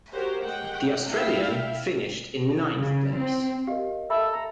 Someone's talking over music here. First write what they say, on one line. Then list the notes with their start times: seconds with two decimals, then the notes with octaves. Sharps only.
The Australian finished in ninth place.
0.11 F#4 G4 A#4 C5 C#5
0.43 G#3 F#5 G5
1.08 E4 E5 F5 G5
2.75 C#3
3.15 C4
3.67 G4 A#4 D#5 F5
4.10 A4 E5 B5 E6
4.32 A#5